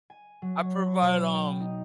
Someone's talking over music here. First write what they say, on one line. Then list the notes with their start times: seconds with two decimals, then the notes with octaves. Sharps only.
I provide, um,
0.10 G#5
0.42 F#3
0.61 C#5
1.01 B2
1.35 G5
1.60 D#4